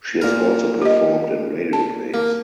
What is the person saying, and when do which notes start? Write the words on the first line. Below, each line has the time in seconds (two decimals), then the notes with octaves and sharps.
She has also performed in radio plays.
0.22 A#2 A#4
0.82 G4 D#5
1.73 A5
2.14 A#3